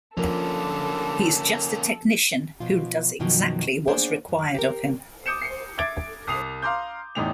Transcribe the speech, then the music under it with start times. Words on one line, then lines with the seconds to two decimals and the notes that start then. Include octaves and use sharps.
He's just a technician who does exactly what's required of him.
0.17 D3 F3 A#3 C#4 A4 A#4
2.60 B2 F3 F4
3.20 F#2 B2 D#3 F3 F#3
3.87 A#3 B3 D4 G#4 C5 C#5
4.28 F#2
4.55 G4 A#4
5.26 D6 D#6 G6 C#7 E7
5.42 C7 C#7
5.78 E5 D6 G#6 A6 D7
6.27 C2 D#6 C7 F7
6.62 F5 A#5 C6 D6 G6
7.15 A1 E2 A2 D#4 G5 F7